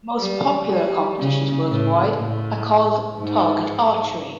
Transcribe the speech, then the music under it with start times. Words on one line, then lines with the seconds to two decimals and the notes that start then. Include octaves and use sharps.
The most popular competitions worldwide are called target archery.
0.19 G3
0.70 G3
1.19 C#3
1.69 A2
2.18 A2
3.18 G#2